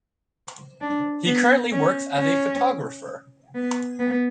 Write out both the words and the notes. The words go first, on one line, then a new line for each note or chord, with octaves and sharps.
He currently works as a photographer.
D4
B3
C#4
C#4
B3
B3